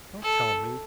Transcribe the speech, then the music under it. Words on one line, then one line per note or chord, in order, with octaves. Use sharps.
'Don't tell me!
A4